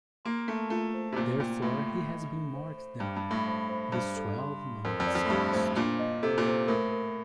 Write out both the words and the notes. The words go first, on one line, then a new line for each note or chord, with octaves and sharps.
Therefore he has been marked down these twelve months past.
A#3 C6
A3 A5
A3 F4
C5
C3
A#2 C5
A#2 G5
A2 C6
G5
D#5
D4
C5
C5
G2 G5
G2
G5
A2
C5
C5
G2 C5
A4
C6
C6
F2 A#4
F2
D5
F2
A2
G2 G4
A2 C5
A#2 D4
D#5
C3 A4
A#2
C5
A2 A#4
A#4